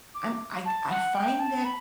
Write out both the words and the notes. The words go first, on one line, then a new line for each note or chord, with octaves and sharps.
I'm I'd I find that,
D6
A5
F#5
G5
A5
B5